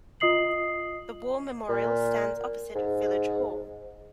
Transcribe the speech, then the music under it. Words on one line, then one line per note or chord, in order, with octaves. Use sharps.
The War Memorial stands opposite Village Hall.
F4 D#5 D#6 C7 F#7
A#2
G#2